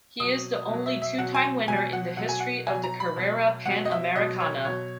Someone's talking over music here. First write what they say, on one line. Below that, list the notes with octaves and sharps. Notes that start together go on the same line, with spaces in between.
He is the only two-time winner in the history of the Carrera Panamericana.
B2 F#3 D#6
B2 F#3
E5
E5
B2 F#3 F#5
G#5
B2 F#3 G#5
F#5
B2 F#3 F#5
G#5
F#5
B2 F#3 G#5
A#5
B5
B2 F#3
B2 F#3 F#5
D#5
E5
B2 F#3 D#5
C#5
B2 F#3 C#5